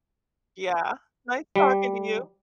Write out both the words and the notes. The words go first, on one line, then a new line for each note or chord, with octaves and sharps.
Yeah, nice talking to you.
G3